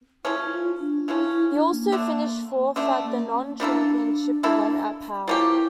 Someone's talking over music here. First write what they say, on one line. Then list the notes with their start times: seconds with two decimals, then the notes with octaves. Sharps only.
He also finished fourth at a non-championship event at Pau.
0.25 C#3 F3 A3 C#4 E4
0.52 F4
0.80 D4
1.08 C#3 F3 A3 C#4 E4
1.30 E4
1.50 D4
1.72 A#3
1.92 D3 A3 D4
2.75 D3 A3 C#4 D4
3.04 A#3
3.32 C#4
3.60 G3 A#3 D4 E4 A4
4.43 G3 A#3 E4 A4
5.28 F3 A#3 C#4 E4 G4